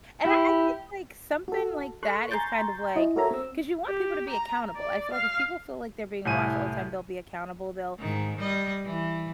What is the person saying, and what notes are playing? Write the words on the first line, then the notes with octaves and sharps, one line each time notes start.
and I I think, like, something like that is kind of, like 'cause you want people to be accountable. I feel like if people feel like they're being watched all the time, they'll be accountable, they'll
E4 G4
F#4 A4
A4 C6 C#6 F#6
G#5 A#5 C6 C#6 G6 A6
E4 D#5
F#4 A4 A#4 C#5 E5 A#5
C4 E6
G4
A#5
D5
F5
C2 A2 G#5 D#7
G#2 D#3
G3 D#5
E3